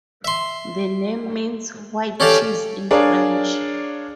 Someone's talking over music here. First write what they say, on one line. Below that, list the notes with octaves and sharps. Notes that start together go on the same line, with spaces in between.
The name means "white cheese" in French.
E5 C6
C#4 G4 A4 D5 F5 A5
D4 G#4 A#4 C#5 D5 F5